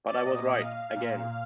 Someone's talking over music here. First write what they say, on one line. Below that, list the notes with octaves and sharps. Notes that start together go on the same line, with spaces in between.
But I was right - again!
D5
A#2 D#5
F5
A#2